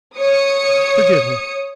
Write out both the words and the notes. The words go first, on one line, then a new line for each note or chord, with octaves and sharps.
Forgive me! ...
C#5 D#6 C#7